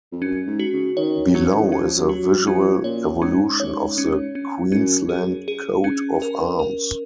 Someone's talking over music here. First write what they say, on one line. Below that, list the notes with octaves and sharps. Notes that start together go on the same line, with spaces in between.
Below is a visual evolution of the Queensland coat of arms.
F2
F#2 C#4
G#2
F#4
C#3
D#3 C#5
F#3 C#4
F3
D#3
F3
D#3
F3 C#4
F#3
F#4
F#3
F3 C#4
A#2 C#5
G#2 C#4
C#5
C#4
C#4
F#2 C#4
F#2 G#4
G#4
C#4
A#4
A#4